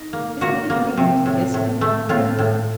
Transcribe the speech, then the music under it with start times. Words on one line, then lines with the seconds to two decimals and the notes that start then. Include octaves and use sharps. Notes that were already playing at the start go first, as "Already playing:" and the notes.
"Isn't anybody going to kiss me, I wonder!"
Already playing: D#4
0.13 A#3
0.41 A#3 F#4
0.70 A#3
0.97 C3
1.26 A2
1.54 A2
1.81 A3
2.09 A2 F4
2.39 A2